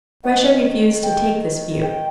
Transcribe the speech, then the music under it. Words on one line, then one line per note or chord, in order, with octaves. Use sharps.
Russia refused to take this view.
D#3 F#5
G5
G5